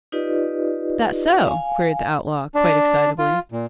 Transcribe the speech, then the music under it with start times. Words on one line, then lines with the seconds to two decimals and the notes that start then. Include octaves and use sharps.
"That so?" queried the outlaw, quite excitably.
0.12 D#4 F4 G4 B4 D5 D#5
1.47 F5 G#5
2.55 D4
3.19 F4
3.52 A#2